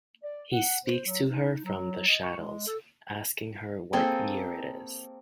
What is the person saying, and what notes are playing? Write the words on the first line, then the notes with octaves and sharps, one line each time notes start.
He speaks to her from the shadows, asking her what year it is.
D5
F#5
C5
F#3
D#4
F#3
D#5
C#6
G#3
A4
A#3 C4 G#4 A4